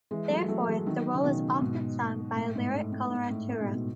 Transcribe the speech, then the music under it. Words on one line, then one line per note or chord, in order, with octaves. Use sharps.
Therefore, the role is often sung by a lyric coloratura.
E3 G#3
F#3 A3
F#3 A3
E3 G#3
D#3 F#3
C#3
B2 D#3
G#2 B2
A2
G#2
A2
A2
G#2
A2
A2
G#2 B2
B2